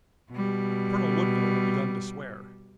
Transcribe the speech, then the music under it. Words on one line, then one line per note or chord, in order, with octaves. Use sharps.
Colonel Woodville had begun to swear.
B2 G3